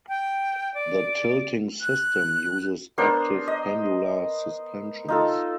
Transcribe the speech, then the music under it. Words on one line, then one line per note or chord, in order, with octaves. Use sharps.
The tilting system uses active pendular suspensions.
G5
D5
F#6
B3 D4 A#4 C5
D#5
D#4 F4 A4